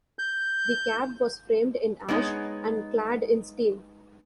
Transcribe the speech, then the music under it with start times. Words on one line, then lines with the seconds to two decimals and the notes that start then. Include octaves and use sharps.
The cab was framed in ash and clad in steel.
0.19 G6
2.09 G#3 B3 D#4 C#5